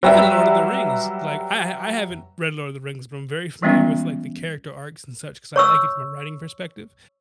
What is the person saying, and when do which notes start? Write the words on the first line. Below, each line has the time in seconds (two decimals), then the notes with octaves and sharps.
even Lord of the Rings, like, I h I haven't read Lord of the Rings, but I'm very familiar with, like, the character arcs and such 'cause I like it from a writing perspective.
0.03 F#3 G3 G4 B4 D5 E5
3.62 E3 G3 G#3 B3 C#4 F4
5.56 C#5 C#6 E6